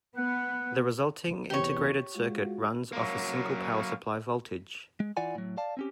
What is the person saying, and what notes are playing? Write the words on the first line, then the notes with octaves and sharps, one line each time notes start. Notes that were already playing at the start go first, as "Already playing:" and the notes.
The resulting integrated circuit runs off a single power supply voltage.
B3 F#5
E2 C3 G4 C#5
G#3 F4 F#4
F#3 A#3
G#3
E3 E4 F4 D5 F#5 G#5
A2 F#3
D5 F5 A5
C4 C#4 G4